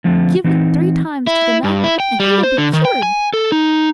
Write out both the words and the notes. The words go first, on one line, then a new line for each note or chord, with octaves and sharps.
Give it three times to the knight and he will be cured.
D3 F3 A3 C4
E3 C4 D#4
E4
G2
E4
G5
G3
C5
D3
D#3
G5
G#5
A4
D#4